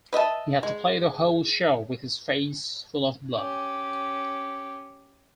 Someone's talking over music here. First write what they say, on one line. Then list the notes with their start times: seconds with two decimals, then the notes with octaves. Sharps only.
He had to play the whole show with his face full of blood.
0.13 B4 D#5 E5 A5
0.63 G#3
3.34 C#4 G4